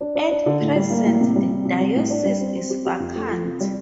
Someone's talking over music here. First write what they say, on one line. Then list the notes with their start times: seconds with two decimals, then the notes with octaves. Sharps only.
At present the diocese is vacant.
0.01 D4
0.15 D4
0.31 D4
0.46 D3
0.61 A2
0.76 G3
0.90 A#3
1.05 A2
1.21 C3
1.36 G3
1.51 C3
1.65 C3
1.80 G3
1.96 A2
2.10 D4
2.25 G3
2.40 C4
2.56 C4
2.70 G4
2.86 G4
3.00 F2
3.16 A3
3.30 F3
3.45 C3
3.61 G3